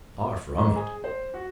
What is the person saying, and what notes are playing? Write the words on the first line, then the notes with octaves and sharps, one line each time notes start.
Far from it.
G#2
G#4
C5
F#4